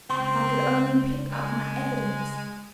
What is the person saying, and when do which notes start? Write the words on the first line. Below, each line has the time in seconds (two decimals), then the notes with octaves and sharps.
If I could only pick up my evidence!
0.10 C#2 C4 C6
1.31 G#3